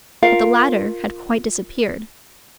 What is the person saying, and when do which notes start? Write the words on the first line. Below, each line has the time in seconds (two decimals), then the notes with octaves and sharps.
But the ladder had quite disappeared.
0.22 F4 A#4 F5